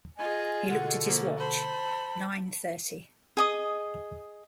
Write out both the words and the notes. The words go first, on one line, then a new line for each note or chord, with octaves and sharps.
He looked at his watch; nine-thirty.
F4 G#4 D#5 G#5
B2 D3 F#5
F3 A#3
C5 A5 B5
G#4 D#5 D#6